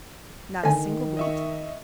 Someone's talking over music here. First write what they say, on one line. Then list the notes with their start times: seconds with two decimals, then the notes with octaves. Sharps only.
Not a single bleat.
0.64 D2 D#3 G#5
1.17 D#5 E5 C#6